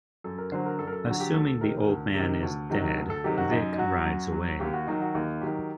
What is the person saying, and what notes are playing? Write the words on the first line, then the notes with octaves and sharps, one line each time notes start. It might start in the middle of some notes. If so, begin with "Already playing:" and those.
Assuming the old man is dead, Vic rides away.
F#2 A4
A#4
D3 F#3 C5
A#4
F#2 A4
A#4
A4
D3 F#3 F#4
G4
D2 A4
C3 D#3 A#4
D2
C3 D#3
D2
C3 D#3 F#3
D2
A4
C3 D#3 F#3 G4
F#4
F#2 D#4
D#4
F#3 F#4
F#2
F#3
D#2 G4
F#4
D#3 F#3 D#4
F#4
D#2 D#4
D#3 F#3 G4